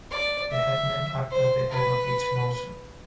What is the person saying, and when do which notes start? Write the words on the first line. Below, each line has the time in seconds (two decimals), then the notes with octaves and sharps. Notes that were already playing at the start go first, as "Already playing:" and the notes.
The headmen act as the head of each mouza.
0.11 D5
0.51 E5
1.31 C5
1.70 B4